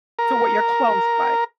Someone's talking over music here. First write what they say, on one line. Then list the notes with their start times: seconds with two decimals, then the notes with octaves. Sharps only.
to what your clothes like.
0.19 A#4